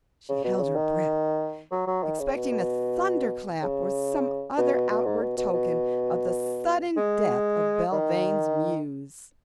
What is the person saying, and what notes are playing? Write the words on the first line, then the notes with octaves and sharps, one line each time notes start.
She held her breath, expecting a thunderclap or some other outward token of the sudden death of Belvane's muse.
C#3
B2
C#3
D#3
F#3
F#3
D#3
C#3
B2
B2
C#3
B2
B2
B2
G#2
B2
B2
B2
G#3
D#3